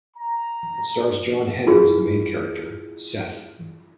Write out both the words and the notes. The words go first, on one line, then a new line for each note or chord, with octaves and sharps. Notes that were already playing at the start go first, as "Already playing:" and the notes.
It stars Jon Heder as the main character, Seth.
A#5
E4 F4 G#4